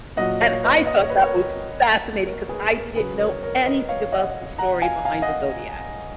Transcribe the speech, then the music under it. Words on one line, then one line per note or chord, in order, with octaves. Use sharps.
And I thought that was fascinating 'cause I didn't know anything about the story behind the zodiacs,
A#2 F#3 D#5 F#5
C#5 F5
B4 D#5
D#5
C#5
B4
A#4 C#5
A#4
G#4 B4
A#4
C#3 F#3 G#4 B4
A#4 C#5
A#4 C#5
B4 D#5
C#5 F5
D#5 F#5
F#5 A#5
F5 G#5
F5 G#5
D#5 F#5